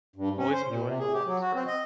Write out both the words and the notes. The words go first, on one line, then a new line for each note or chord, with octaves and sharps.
Boys enjoying a water spray.
G2
C#4
C5
A#2
C3
G#4
G4
F#3
F#4
C4
D#5